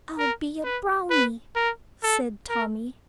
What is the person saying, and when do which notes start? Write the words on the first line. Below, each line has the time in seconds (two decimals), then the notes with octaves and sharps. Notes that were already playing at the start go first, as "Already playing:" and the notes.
"I'll be a brownie," said Tommy.
0.18 A#4
0.64 B4
1.10 B4
1.56 A#4
2.03 A4
2.49 A#4